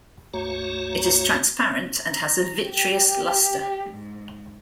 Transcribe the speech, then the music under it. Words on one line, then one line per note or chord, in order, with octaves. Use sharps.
It is transparent and has a vitreous luster.
C#2 G2 A3 F#4 C#5 A#5
A#5
G4
G#2